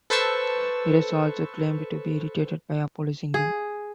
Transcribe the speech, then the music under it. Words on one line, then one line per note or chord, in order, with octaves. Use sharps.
Eros also claimed to be irritated by Apollo's singing.
A4 B4 C5 A5 C#6 E6
G#4